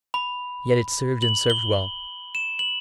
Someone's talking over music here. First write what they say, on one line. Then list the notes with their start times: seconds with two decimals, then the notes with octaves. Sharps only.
Yet it served and served well.
0.14 B5
1.22 F#7
1.50 G7
2.35 E7
2.59 F#7